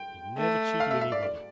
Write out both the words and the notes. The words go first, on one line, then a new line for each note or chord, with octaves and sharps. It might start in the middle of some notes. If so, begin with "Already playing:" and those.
He never cheated anybody.
Already playing: G5
A3
F5
E5
E5
D5
D5